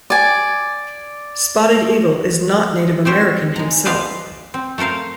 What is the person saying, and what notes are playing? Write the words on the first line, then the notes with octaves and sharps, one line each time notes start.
Spotted Eagle is not Native American himself.
D5 G#5
C4 G4 C5 C#5
G#3 A#5
B4 C5 D5 D#5 F5
C4
A3 A4 A#4 C5 F5